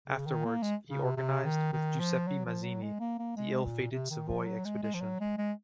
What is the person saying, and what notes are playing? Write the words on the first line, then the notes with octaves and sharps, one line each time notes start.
Afterwards he organized, with Giuseppe Mazzini, the ill-fated Savoy expedition.
C#3
D#3
A#3
G#3
C#3
C3
C3
D#3
D#3
F3
F#3
F3
F#3
G#3
A#3
A#3
G#3
A#2
C3
D#3
F3
F#3
G#3
G#3
F3
F#3
G#3
G#3